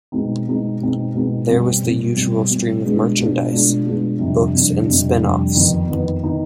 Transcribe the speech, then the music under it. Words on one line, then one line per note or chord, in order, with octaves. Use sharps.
There was the usual stream of merchandise, books and spin-offs.
B2 G#3 C4 D#4
B2 G#3 C4 D#4
B2 G#3 C4 D#4
B2 G#3 C4 D#4
B2 G3 C4
B2 G3 C4
B2 G3 C4
B2 G3 C4
B2 G#3 B3 D4 F4
B2 G#3 B3 D4 F4
B2 G#3 B3 D4 F4
B2 G#3 B3 D4 F4
F2 C3 G3 D4
F2 C3 G3 D4
F2 C3 G3 D4
F2 C3 G3 D4
F2 D#3 B3 D#4
F2 D#3 B3 D#4
D#3 B3 D#4